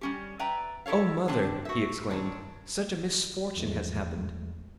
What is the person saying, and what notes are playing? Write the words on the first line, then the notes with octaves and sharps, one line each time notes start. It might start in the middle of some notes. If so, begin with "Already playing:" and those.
"Oh, mother," he exclaimed, "such a misfortune has happened!"
G3 C#4 G4
B4 D5 E5 G5 A#5
E4 G4 A4 C#5 F5
D3 C4 D4 G4
F#4 E5
D#3 C4 D4 C#5
E2 F3 G#3 A3